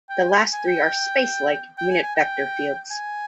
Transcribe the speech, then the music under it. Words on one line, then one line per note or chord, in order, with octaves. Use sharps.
The last three are "spacelike" unit vector fields.
G5
G#5
G#5
G5
G5
G#5
G#5
G5
G#5